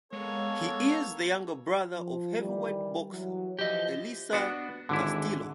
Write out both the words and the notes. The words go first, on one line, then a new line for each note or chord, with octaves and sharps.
He is the younger brother of Heavyweight boxer Elieser Castillo.
G#3 A#3 B3 A4 C#5
F3
D#3 E3 G3
E3 F#3
E3 F3 G4 D#5
B3 D4 F#4
G#1 D3 E3 E4